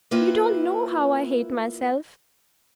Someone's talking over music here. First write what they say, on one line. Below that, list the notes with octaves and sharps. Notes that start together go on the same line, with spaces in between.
'You don't know how I hate myself.
A#3 E4 F4 A#4 B4 G5